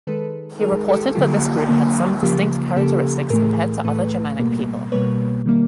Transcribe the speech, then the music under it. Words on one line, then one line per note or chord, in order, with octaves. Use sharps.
He reported that this group had some distinct characteristics compared to other Germanic people.
D#3 G#3 A4 B4
D#3 G#3 G#4 A#4
G4 A4
D3 F#3 A#3 F4 G4
D3 F#3 A#3
C#3 F3 A#3 F4 G4
C#3 F3 A#3 G4 A4
A2 E3 A3 G#4 A#4
A2 E3 A3 A4 B4
B2 G3 A#3
B2 G3 A#3 B4 C#5
D#3 G3 A#3